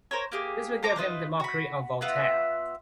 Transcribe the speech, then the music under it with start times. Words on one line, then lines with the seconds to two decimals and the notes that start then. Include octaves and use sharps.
This will give him the mockery of Voltaire.
0.11 A#4 C5 C#5
0.32 A#3 G4 G#4
0.83 C5 A5 A#5 D6
0.96 D#4 F4 B4 C5
1.40 F#4 B5
2.01 B3 F4 E5 F#5